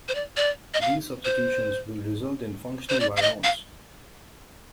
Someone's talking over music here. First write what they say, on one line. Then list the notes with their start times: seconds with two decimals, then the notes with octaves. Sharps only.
These substitutions will result in functional virons.
0.08 C5
0.15 D5
0.37 D5
0.74 D#5
0.81 F5
1.25 C5
2.89 C5
3.00 D5
3.17 F5
3.22 D#5
3.44 F5